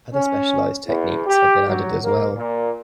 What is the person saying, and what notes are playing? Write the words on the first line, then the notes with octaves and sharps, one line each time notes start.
Other specialized techniques have been added as well.
C#4
E2
G4
F#3
A#3
A#2